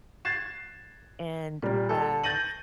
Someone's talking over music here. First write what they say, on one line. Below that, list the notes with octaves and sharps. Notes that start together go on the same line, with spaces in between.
And, uh,
F#6 G#6 A6 C7 E7
A#2 G3
A4
G6 A6 A#6 D#7 F#7